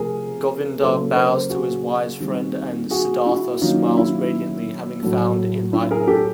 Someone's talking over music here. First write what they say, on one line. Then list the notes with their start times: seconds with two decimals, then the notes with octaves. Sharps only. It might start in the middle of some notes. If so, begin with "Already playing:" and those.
Govinda bows to his wise friend and Siddhartha smiles radiantly, having found enlightenment.
Already playing: C3 F3 A3 G#4 A#4
0.80 C#3 F#3 A#3 A4 B4
1.15 A#4 C5
1.50 F#4 G#4
2.20 D#3 G3 C4
2.90 F#4 G#4
3.26 E4 F#4
3.61 D#3 F#3 A#3 C#4 D#4 F4
3.97 E4
5.02 A2 F#3 A3
5.73 E4
5.91 G#4 A#4
6.08 G4 A4